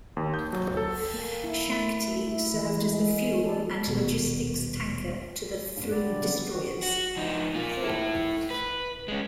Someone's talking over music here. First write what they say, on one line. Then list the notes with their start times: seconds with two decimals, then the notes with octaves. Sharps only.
"Shakti" served as the fuel and logistics tanker to the three destroyers.
0.17 D#2
0.34 G6
0.53 F#3
0.77 A4
1.14 A#3
1.44 E4
1.68 A3
2.27 E4
2.54 E3
2.77 G#3
2.99 G#3
3.43 A4
3.87 D#1 B2
5.76 A1 G2
5.91 D3 G3 A4 D5
6.20 C#3 F#3 B3
6.36 G#4 B4
6.50 D#3 F#4
6.83 F#4
7.17 F3 D#4
7.55 A#3 F4
7.84 E4 A4
8.51 B4
9.08 G#3 C#4